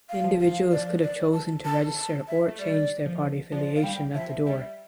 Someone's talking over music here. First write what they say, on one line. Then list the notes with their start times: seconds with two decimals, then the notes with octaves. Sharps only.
Individuals could have chosen to register or change their party affiliation at the door.
0.09 F5
0.24 F3
0.40 F5
0.71 D5
1.03 D5
1.33 A5
1.65 A5
1.96 A5
2.28 E5
2.48 A3
2.59 G3 D5
3.06 F3
3.52 F3 D5
3.76 F5
3.83 G3 G5
4.15 F3 E5
4.46 G3 E5